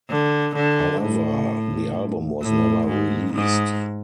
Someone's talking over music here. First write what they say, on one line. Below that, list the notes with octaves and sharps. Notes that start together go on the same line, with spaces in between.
However, the album was never released.
D3
D3
A2
A2
G#2
G#2